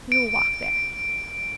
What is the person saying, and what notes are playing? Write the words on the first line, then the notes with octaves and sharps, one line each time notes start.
"We will walk there."
D7